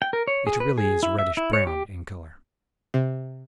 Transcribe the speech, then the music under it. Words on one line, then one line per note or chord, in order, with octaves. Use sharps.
It really is reddish-brown in color.
G5
A#4
C#5
G#4
B4
G#4
E4
E5
E4
C#5
G4
C3